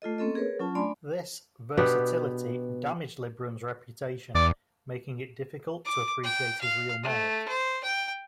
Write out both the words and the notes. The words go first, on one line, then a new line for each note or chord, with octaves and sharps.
This "versatility" damaged Lebrun's reputation, making it difficult to appreciate his real merit.
A3 F4 A4 D#5
A#3 C4 C#4 A4 D#5
G#4 A#4 B4 C#5
F#3 C#4 F4 A5
A3 D4 D5 G#5 B5 C6
B2 B3 D4 G4
E2 D5
D6
G5
F5
A3
C5
G5